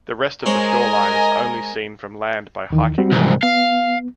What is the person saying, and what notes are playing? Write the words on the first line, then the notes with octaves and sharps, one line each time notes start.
The rest of the shoreline is only seen from land by hiking.
G#3 A#4 C5 C#5 D#5 G#5
D#2 D#3 E3
G3 C4 F#4
C2 G#2 E3 F3
B3 F5